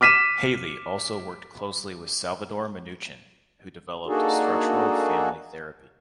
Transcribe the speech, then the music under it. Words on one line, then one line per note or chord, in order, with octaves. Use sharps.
Haley also worked closely with Salvador Minuchin, who developed Structural Family Therapy.
D6 F6 B6 D#7 E7
A#3 D4 D#4 F#4 G#4 A4